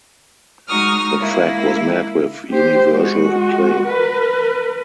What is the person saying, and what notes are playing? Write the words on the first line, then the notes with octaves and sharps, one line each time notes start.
The track was met with universal acclaim.
G#3 D#4 F#4 C#6 D#6 F6
G#3 A#3 E4
G4 C5
G#3 F#4
A#4 B4